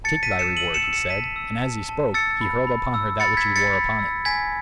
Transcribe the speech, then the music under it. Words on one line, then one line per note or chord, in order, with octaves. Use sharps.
"Take thy reward!" he said, and as he spoke he hurled upon her that which he wore upon it.
A5 A6 C#7
B6 D#7
E6
C#7 E7
E6 D#7 F#7
C#7 E7
E6
C#7 E7
A5 B6 D#7
E6
A5
A5
E6 A6 C#7
B5
B5
E6
B5 A6 C#7
G#6 B6
E6
A6 C#7
B5
E6
G#5 G#6 B6